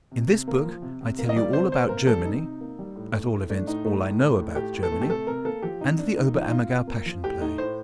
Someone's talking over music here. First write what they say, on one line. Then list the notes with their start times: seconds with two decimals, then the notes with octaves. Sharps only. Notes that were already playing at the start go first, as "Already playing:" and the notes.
In this book I tell you all about Germany--at all events, all I know about Germany--and the Ober-Ammergau Passion Play.
0.11 C3
0.29 C3
0.48 A#3
0.65 F3
0.82 C3
1.01 C3
1.19 A#3
1.29 D#5
1.36 G3 D5
1.53 C3 C5
1.71 C3 C5
1.89 A#3 A#4
2.07 G3 A4
2.25 C3 D#4
2.43 C3
2.61 A#3
2.79 G3
2.96 A2
3.14 A3
3.32 A2
3.50 A3 D4
3.67 A2 D#4
3.85 A3 D#4
4.03 A2
4.21 A3
4.39 A2
4.56 A3 G4
4.74 A2
4.83 A4
4.92 A3
5.01 G4
5.10 C3 A4
5.27 C3 A#4
5.45 A#3 A4
5.62 F3 G4
5.81 C3 D#4
5.99 C3 D4
6.17 A#3 D#4
6.34 F3 D#4
6.48 D#4
6.52 C3 F4
6.69 C3
6.87 A#3
7.06 F3
7.23 A2 G4
7.40 A3 D#4
7.58 A2 C5